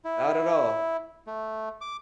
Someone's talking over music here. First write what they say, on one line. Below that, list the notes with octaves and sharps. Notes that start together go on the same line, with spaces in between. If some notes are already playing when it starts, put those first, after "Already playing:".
Not at all.
E4
A3
D6